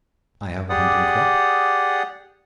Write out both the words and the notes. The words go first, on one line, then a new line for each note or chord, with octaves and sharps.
"I have a hunting-crop."
G4 G#4 D5 F#5 D#6